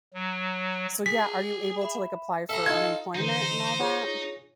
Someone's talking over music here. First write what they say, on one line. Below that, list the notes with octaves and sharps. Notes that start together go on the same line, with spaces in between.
so, yeah, are you able to like apply for unemployment and all that?
F#3
G#4 B6
E5 B5
A4 E5 F5 A#5
D#4 F4 G#6
D3 E3 D#4 C5
F4 G#4 C#5